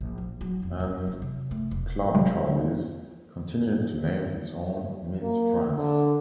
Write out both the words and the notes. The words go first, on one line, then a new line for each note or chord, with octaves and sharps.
And "Club Charly's" continued to name its own Miss France.
A#1
F3
F#3
F2
E2
D#3
C3
A3
E1
C3 F#3 G#3
A#3
D3